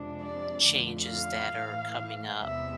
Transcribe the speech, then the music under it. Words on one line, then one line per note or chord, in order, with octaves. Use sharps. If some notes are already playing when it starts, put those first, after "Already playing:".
changes that are coming up
Already playing: F2 C3 G#3 D4
D5
F2 D3 A3
F5
A2 E3 A3
E2 C3 G#3 B3 E5